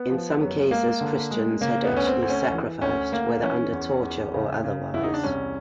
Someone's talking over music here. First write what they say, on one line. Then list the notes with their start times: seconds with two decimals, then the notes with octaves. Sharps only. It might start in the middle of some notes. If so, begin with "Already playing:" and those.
In some cases Christians had actually sacrificed, whether under torture or otherwise.
Already playing: B3
0.10 F3
0.41 F#2
0.71 G#3 A#3
1.01 D3
1.31 G#3
1.61 C#3 A#3
1.85 B3
1.91 D2 C#4
2.07 C4
2.22 D2
2.30 C#4
2.52 E3
2.81 D2 C#4
3.12 D2 A#3
3.42 E3 C#4
3.72 E2
4.02 E2
4.34 C#3
4.64 C#3
4.94 E2 E4
5.03 D#4
5.14 D4
5.23 C2 C#4